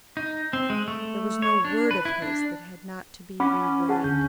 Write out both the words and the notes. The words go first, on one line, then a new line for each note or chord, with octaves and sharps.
There was no word of his that had not to be re-weighed.
D#4
C4
G#3
A3
C#5
D4
B4
E4
D4
C#4 F#5 B5 D6
G#4 F#5 A5
D2 D3 G6